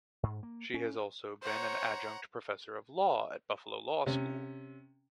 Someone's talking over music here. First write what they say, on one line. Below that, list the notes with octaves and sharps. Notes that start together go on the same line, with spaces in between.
She has also been an adjunct professor of law at Buffalo Law School.
G#2
A#3
C#4
C5 C#5 F#5 A#5
C3 C#4